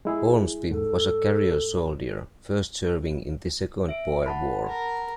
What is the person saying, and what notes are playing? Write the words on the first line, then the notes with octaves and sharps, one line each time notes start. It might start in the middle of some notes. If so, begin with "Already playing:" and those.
Ormsby was a career soldier first serving in the Second Boer War.
G#3 E4 G#4
G#2 A4
E5 D7
F#5 A5 B5
A#4